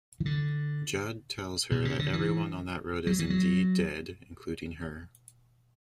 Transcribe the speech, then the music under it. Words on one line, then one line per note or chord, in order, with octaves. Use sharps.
Jud tells her that everyone on that road is indeed dead-including her.
E3
D3
B2
C#3
D3
E3
F#3
E3
F#3